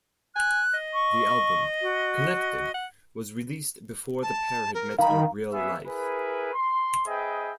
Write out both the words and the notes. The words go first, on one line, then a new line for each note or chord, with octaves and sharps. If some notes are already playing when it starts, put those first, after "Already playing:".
The album, "Connected", was released before the pair had met in real life.
G#5 F#6
D#5
C#6
F#4
F#5
A5
A#4
D#3 F5 A#5 B5
A#3 B3 C#4 G#4 E5
E4 G#4 A#4 B4
C6
C4 G#4 B4 D#5 E5 G5